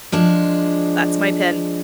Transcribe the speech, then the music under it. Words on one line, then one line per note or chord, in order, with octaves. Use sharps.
That's my pin."
F3 G#3 D4